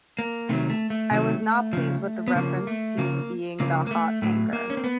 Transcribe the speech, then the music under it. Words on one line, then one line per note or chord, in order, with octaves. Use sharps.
I was not pleased with the reference to being the 'hot anchor'.
A#3
C3 D#3 F#3 A3
A3
A3
C3 D#3 F#3
C#3 F3
B3
C#3 F3 A#3
A3
C#3 F3 A#3
C#3 F3 A#3
A#3
A3
A2 F#3 A3
A#3
C#4
C4
B3